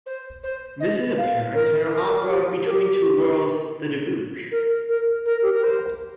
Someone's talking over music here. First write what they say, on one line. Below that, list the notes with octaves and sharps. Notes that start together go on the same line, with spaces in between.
This is apparent in her opera Between Two Worlds-The Dybbuk.
C5
C5
D#5
F5
A#4
A#4
G4
A#4
G4
A#4
A#4
A#4
G4
A#4
C5